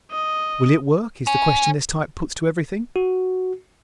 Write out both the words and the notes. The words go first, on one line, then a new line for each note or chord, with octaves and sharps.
"Will it work?" is the question this type puts to everything.
D#5
C#4
F#4